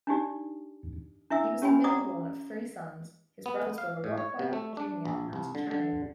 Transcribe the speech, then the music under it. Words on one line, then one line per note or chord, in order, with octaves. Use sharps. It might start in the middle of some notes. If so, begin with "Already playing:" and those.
He was the middle-born of three sons; his brothers were Rockwell, Junior and Channing.
D4 D#4 G4 D5
D4 E4 E5 E6
C#4 G4 C#5 G5 G#5 B5
D5 F#5 A#5 D6 D#6
B3
F5
A2
C#5
C3
A3
D4
A#1
C2
D3
D3